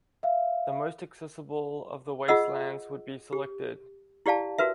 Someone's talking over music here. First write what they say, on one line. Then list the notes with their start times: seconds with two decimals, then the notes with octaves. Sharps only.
The most accessible of the wastelands would be selected.
0.23 E5 F5
2.28 F4 G#4 D#5 F#5 E6
3.33 G4
4.26 E4 G4 D5 F5 A5
4.58 F#4 A#4 B4 E5